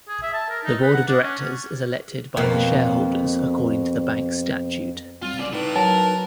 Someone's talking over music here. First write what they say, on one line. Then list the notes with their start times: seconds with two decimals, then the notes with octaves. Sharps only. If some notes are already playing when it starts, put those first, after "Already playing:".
The Board of Directors is elected by the shareholders according to the bank statute.
0.09 G#4
0.22 E5
0.34 A5
0.50 A#4
0.65 D#4
0.82 B4
0.94 F#5
1.08 D4
1.22 C#4
2.37 F2 B2 A#3
5.23 G3 C4 F4
5.39 C#3 D5
5.53 A2 D#4 B4
5.75 F#3 A#4 A5